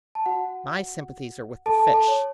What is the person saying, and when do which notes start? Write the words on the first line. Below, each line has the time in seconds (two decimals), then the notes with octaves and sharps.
"My sympathies are with the fish."
0.15 A5
0.26 F#4 F#5
1.66 A4 A5
1.79 A4 A5
1.94 A4 A5
2.08 C#5